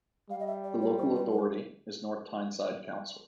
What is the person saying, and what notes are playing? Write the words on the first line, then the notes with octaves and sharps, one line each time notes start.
The local authority is North Tyneside Council.
G3 F5
D#5
E5
D5
C#5
C5
B4
A#4